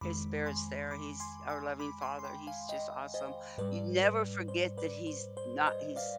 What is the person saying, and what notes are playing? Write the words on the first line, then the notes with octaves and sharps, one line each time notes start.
his spirits there He's our loving Father, he's just awesome. You never forget that He's not He's
F2 D#3 G#3 B5 D6
G#5 C6
B5 D6
G#5 C6
G#5 C6
B5 D6
G#5 C6
C6
G5 B5
F5 G#5
D#5 G5
C5 D#5
G#2 G3 B4 D5
B4
C5
B4 D5
C5
C5
C5 D#5
D5 F5